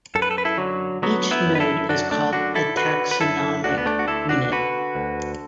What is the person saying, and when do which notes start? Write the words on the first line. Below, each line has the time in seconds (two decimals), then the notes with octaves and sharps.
Each node is called a taxonomic unit.
0.15 F#2 A4
0.22 B4
0.31 A4
0.38 B4
0.45 E4 A4
0.58 D3 F#3
1.02 D3 F#3 B3
1.31 B3 E4
1.46 F#2
1.55 B4
1.60 E4 A4
1.89 F#2 D4 F#4
2.11 A3 D4
2.33 D3 D4 F#4
2.55 E4 A4
2.76 D3 F#4 B4
3.11 B4
3.21 F#2 E4 A4
3.64 D2 D4 F#4
3.78 B3
3.86 A3 D4
3.99 F#4
4.07 D3 E4 A4
4.29 D4 F#4
4.52 D3 F#4 B4
4.95 D2